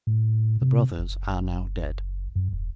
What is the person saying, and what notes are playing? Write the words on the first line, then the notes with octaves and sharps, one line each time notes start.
The Brothers are now dead.
A2
C3
F#1
F#2
E1